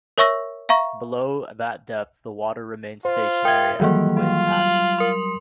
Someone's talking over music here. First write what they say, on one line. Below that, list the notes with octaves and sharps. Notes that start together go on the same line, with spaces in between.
Below that depth the water remains stationary as the wave passes.
A#4 C#5 E5 C#6 E6 A#6
E5 F5 A#5 C#6
F4 C5
A#4 E5 G5 G#6
D#3 E3 F#3 G3 A#3
F4
F#7
A#4 C6